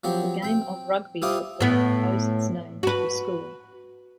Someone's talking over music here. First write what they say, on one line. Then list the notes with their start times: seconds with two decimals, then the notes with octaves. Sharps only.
The game of Rugby football owes its name to the school.
0.04 F3 F#3 C4 G4 C5
0.43 C4 G5
1.22 G3 E4 F4 C5 D6 D#6
1.60 A2 B3
2.83 F#4 B4